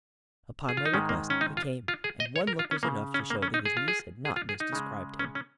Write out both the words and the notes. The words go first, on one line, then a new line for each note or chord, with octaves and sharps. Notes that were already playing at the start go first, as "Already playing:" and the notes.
Upon my request he came, and one look was enough to show that his niece had not misdescribed him.
G#4
F4
D#4
G#2 D#3 G#3 C#4
A#3
C#4
D#4
F4
F4
G#4
D#5
C#5
A#4
F4
C#4
C#3 A#3
C#4
A#3
C#4
D#4
G#4
F4
G#4
G#4
F4
G#4
D#4
C#3 G#3
C#4
C#4